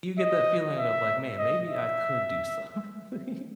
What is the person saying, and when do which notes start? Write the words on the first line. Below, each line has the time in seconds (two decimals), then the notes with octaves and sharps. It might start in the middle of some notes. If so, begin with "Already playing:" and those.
you get that feeling of like, "Man, maybe I could do something."
0.19 D#5
0.78 E5
1.39 D#5
1.68 E5